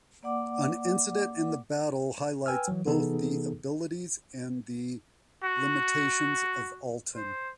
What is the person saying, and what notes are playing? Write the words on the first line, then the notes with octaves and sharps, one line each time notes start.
An incident in the battle highlights both the abilities and the limitations of Alten.
A#3 D5 F#5 D6
B4 G5 G#5 E6 F6
E3 F#3
C3 E3 B3 D#4 G#4 A4
F#4
C5